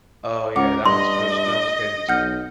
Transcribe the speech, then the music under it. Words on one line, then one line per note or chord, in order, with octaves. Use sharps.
Oh yeah, that one's cruz that one's crazy too.
C#2 A#4 F#5 D6
G2 D#5 C6
B1 F#5 F6 G6